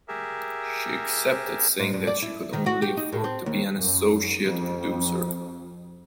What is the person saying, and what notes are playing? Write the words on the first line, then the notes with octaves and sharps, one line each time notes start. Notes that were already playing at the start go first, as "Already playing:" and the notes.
She accepted, saying that she could only "afford" to be an associate producer.
G4 G#4 A#4 E5
G#2
G2
D5
E4
D#3
F#4
G4
D#4
A2
C4
D#2
F#2
F2